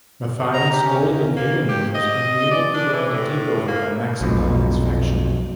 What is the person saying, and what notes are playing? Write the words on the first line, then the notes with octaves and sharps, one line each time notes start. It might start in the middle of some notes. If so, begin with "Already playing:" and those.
Matthias, old and ailing, was unable to prevent a takeover by Maximilian's faction.
A#5
G4
C#4
E2
A#3
G4
D#5
D5
D4
E3
A2
A#3
B1 F2